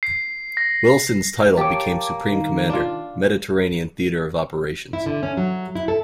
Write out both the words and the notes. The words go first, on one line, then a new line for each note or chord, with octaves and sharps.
Wilson's title became Supreme Commander, Mediterranean Theater of Operations.
C7
A#6
A#3 G4 C#5 A5 D6
D#3
D4 F4
E4
D3
C#4
F#3
E4
A4